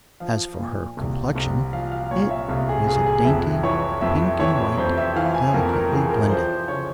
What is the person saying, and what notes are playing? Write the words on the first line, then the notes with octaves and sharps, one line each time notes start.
As for her complexion, it was a dainty pink-and-white, delicately blended.
F3 F5
A#2
C2
C2
F3 F5
F5
A#2 C#5
F5
E5
C2 F5
G#4
C2 G#4
G#4
F2 E5
E3 C#5
F2 E5
E3 C#5
F2 C5
E5
E3 F5
G#5
F2 A#4
A#4
E3 G#4
A#4
F3 C5
C#3 C#5